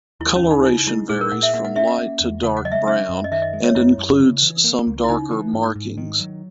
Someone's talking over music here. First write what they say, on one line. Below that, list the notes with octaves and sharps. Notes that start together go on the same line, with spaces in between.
Coloration varies from light to dark brown and includes some darker markings.
D#2 E4
C#4
D#2
D#4
C#3 E4
G#3 E4
A#2 G#4
A#4
A#2 F#5
E5
A#3 F#5
F#5
C#4 E5
F#5
A#3
E2
C#3 F#5
F#5
F#3 D#5
E5
C#4 E5
F#2
D#5
D#3 E5
D#5
G#3
C#5
F#2 E4
F#2
C#3
E3
A#3
C#2
E4
C#3 D#4
E3
G#2
G#2
D#3
F#3